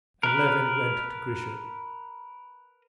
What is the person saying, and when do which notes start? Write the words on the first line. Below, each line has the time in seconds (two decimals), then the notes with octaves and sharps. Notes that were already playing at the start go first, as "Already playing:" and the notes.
And Levin went to Grisha.
0.23 A#4 B4